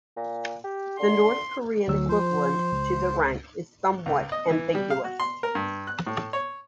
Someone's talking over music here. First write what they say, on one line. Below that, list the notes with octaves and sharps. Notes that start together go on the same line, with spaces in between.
The North Korean equivalent to the rank is somewhat ambiguous.
A#2
G4
D3 C6
D2 F#3 E6
F3 C5
C#2
C#2
D#5
E3
G3
F5
F#4
C6
A#4
G2
F#6
A2
C#5